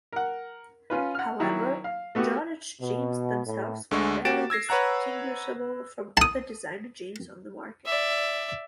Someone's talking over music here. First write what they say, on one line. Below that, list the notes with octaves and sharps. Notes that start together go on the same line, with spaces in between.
However, Jordache jeans themselves were barely distinguishable from other designer jeans on the market.
A#4 F#5
C#4 F4 B4
F#5 F6
D#3 F#3 E4
F5
A3 B3 F#4 G4
B2
A2
D2 D3 G#3 C#6
A#3 F#4 G4 A6 D7 E7
E6 G#6 A#6 C7
B4 C#5 F#5 A#5 F#6
A5 D#6
D5 E5